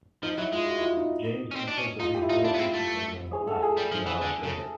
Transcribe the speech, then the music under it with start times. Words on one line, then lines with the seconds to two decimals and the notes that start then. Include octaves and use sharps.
James entered the rehabilitation program but left a few hours later.
0.23 F3 D#4
0.38 F#3 E4
0.52 G#3 F4
0.67 F#4
0.77 E4
0.82 F4
0.97 D#4
1.51 C#4
1.55 C4
1.68 D4
1.77 C#4
2.00 D#4 F4
2.15 G4
2.22 E4
2.30 D#4 F4
2.44 D4 E4
2.54 B3
2.59 C4
2.74 A3
3.33 G#4
3.47 A4
3.62 G#4
3.77 G3
3.92 F3
4.06 E3
4.22 D3
4.43 C#3